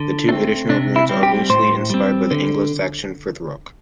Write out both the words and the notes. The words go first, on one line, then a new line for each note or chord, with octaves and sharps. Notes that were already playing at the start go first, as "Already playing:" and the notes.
The two additional runes are loosely inspired by the Anglo-Saxon Futhorc.
Already playing: D3
A3 C4 D4
C3 D4
E4
G3 C4
G4
A2 C5
G3 C4
D3